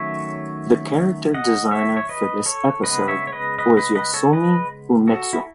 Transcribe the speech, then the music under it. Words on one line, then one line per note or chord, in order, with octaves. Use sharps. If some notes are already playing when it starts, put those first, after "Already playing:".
The character designer for this episode was Yasuomi Umetsu.
Already playing: D#3 F#3 A3 C#4 C#5 E5
D#5 F#5
C#5 E5
C#5
B4 D#5
A4 C#5
C#3 G#3 B3 B4 D#5
C#5 E5
C#5
B4 D#5
B4 D#5
B4 D#5
B4 D#5
A4 C#5
B4 D#5
F#4 A4
E4